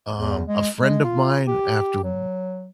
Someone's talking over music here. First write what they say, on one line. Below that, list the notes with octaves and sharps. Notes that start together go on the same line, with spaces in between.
um, a friend of mine after w
E2
G#3
G#3
F4
G4
F#3